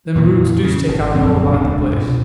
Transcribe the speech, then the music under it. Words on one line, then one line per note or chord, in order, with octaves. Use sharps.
Them roots do stick out all about the place.
F2 A#2 E3
C#3
G#1
E1 A#1 F#2 C4
D#1 C#2 D4
G2 B2